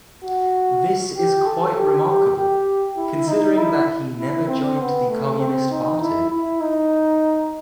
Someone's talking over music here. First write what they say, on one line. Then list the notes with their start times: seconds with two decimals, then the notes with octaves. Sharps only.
This is quite remarkable, considering that he never joined the Communist Party.
0.24 F#4
1.15 G4
1.45 A4
1.76 G4
2.06 G4
2.36 G4
2.97 E4
3.27 D#4
3.58 E4
4.19 E4
4.48 C4
4.79 B3
5.09 A3
5.39 C4
5.70 D#4
6.00 E4
6.30 E4
6.60 D#4